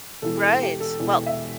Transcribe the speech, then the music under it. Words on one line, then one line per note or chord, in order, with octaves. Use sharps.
Right, well,
E1 E2 E3 A4
G4
A4
E1 E2 E3
E5